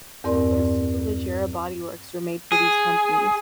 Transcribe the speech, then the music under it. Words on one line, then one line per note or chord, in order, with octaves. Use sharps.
The first superleggera bodyworks were made for these companies.
E2 G2 C4 A#4 D5
G#4